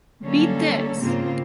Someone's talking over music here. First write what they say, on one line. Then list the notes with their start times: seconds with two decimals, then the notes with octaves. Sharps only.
Beat This!
0.22 D3 F#3 G3 A#3 C#4 A4
0.99 G#2 C#3 A#3 C4 F4